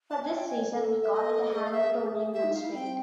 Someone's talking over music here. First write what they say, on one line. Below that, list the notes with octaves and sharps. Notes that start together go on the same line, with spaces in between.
For this reason we call it a Hamiltonian constraint.
A5
G#5
C#5 G5
D#5 G#5
C#5
A4
E5
D#5
G#4 D#5
F5
E5
G4 E5
D#4
D#4 F5
E4
C4 G5